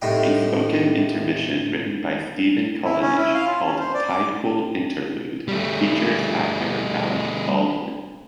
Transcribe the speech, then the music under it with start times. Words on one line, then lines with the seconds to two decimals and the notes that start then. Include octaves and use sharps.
A spoken intermission written by Stephen Kalinich, called "Tidepool Interlude", features actor Alec Baldwin.
0.02 C2 A2 D#4 G5
2.85 E4
3.01 C#4
3.17 E4
3.34 F5
3.47 F4
3.66 C#4
3.79 C5
3.94 D5
4.09 D6
5.48 G3 A3